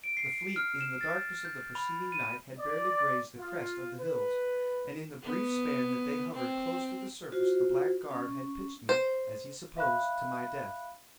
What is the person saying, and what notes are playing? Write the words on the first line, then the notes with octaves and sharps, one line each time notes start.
The fleet in the darkness of the preceding night had barely grazed the crest of the hills, and in the brief span that they hovered close to the surface the black guard had pitched me, as he supposed, to my death.
D7
C7
F6
E7
A6
G6
B5
D#7
D5
F4
B4
B3
C4
F4 F#4 C5
C#4
C5
E5 F5 B5 F#6